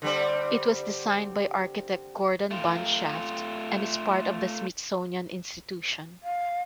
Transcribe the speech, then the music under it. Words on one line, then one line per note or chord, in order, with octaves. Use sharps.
It was designed by architect Gordon Bunshaft and is part of the Smithsonian Institution.
D3 G3 C4
A3 F4
F5